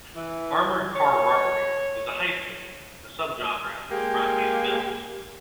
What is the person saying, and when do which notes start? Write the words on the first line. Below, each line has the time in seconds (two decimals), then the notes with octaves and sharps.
"Armored Car Robbery" is a heist movie, a subgenre of crime-based films.
0.16 E3
0.95 C#5
3.91 G#3 A#3 G4